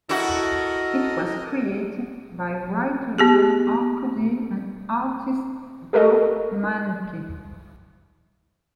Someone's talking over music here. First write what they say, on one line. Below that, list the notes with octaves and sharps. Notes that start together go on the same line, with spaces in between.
It was created by writer John Arcudi and artist Doug Mahnke.
E4 F#4 A4 A#4 D#5
B3 G4 G#4
G4 A4 A#4 D#5